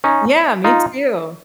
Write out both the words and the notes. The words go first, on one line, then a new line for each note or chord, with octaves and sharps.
Yeah, me too.
C#4 D#4
D#4 F4